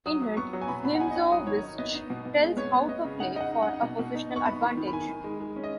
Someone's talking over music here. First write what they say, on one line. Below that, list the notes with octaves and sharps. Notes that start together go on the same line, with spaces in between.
In it, Nimzowitsch tells how to play for a positional advantage.
F#3 D#6
F#3
B3 C#6
F#3
G#5
B2 B5
B2 B5
F#5
D#4 G#5
D#5
D#4 F#5
F#3 D#6
D#3 C#5
D#4
B3 D#5
D#4
B2
B2
G#3
B3 C#5
B3
B3 D#5
C#3
D#4 F#5
D#4 D#5 F#5
D#4
F#5
D#4
B2
B2
D#4
D#4
C#6
B3 B5
D#3 B5
D#3
B5
D#3 G#5
D#3
G#3
G#3
C#4
D#5